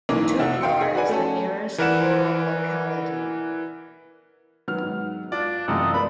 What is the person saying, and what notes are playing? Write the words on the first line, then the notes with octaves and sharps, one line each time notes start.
Tutlar is the nearest rural locality.
B1 E3 A#3 A#4
F1 F#4 E5 E6
F5 G5 C6 C#7
D#4 G#4
F#4 B4 D5 G#5
A3 C#4 A4
E3 A#4 B4 D5 F#5 E7
D#3 F#3 B3 F6
G#2
D4 F4 D5
C2 F#2 E3 A3 F4 D#5 G5
G#3 B3 A#4 D5 B5